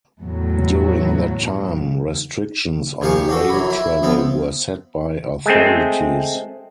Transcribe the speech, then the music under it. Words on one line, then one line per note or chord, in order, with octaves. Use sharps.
During that time restrictions on rail travel were set by authorities.
E2 A2 F#3
C2 F3 G4 F5 G#5 C#6
G4
D4 F#4 A4
F#2 E3 B5
E4
F3 B3 C4
G#3 A3 C4